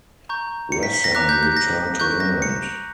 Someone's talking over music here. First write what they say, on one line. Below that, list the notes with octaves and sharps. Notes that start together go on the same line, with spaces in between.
Rassam returned to England.
A#5 C#6 G6
C#7
B6
B6
A#6
A#5 D6 F#6 A#6
G6
G6
A#6
C#6 F#6 G6
A#6
C#7